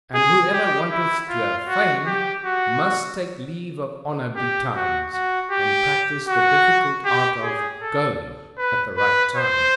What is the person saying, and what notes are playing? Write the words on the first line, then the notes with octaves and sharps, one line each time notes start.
And whoever wanteth to have fame, must take leave of honour betimes, and practise the difficult art of--going at the right time.
G#4
G4
E4
F4
F#4
G4
F#4
G4
F#4
F#4
G4
F#4
G4
G#4
A4
B4
B4
C5